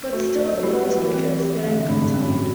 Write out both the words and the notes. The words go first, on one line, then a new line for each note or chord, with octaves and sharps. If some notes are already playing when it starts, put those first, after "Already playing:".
But still the first-wicket stand continued.
A3 F#4
A3 C5
F#3
G3 E4
F#3
B4
E3
C4
G4
D3 A3
C3
A2 D4
G2
F#2 C4
A2
F#4